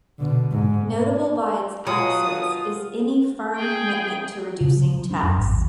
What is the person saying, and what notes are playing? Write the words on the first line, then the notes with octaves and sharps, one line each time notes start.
Notable by its absence is any firm commitment to reducing tax.
B2 D3
G#2
B2 F#3 F4 D#6
G#4 G5
C#3
F#3
F#3
D4
F#2
G#1
D#2